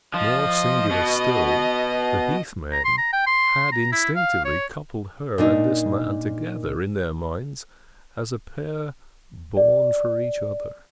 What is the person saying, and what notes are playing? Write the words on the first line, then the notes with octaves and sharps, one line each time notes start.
More singular still, the heathmen had instinctively coupled her and this man together in their minds as a pair born for each other.
F3 D#5
B2
A#5
C6
A#5
G5
C6
A#5
E4
F5
C#5
A#2 D4 D#4
D5